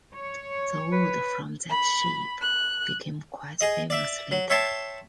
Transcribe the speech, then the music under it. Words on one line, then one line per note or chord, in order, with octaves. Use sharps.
The wood from that ship became quite famous later.
C#5
B4
B5
F#6
G#4 D#5
D5 E5
F#3
C#5 E5 G5 A5 C6 C#6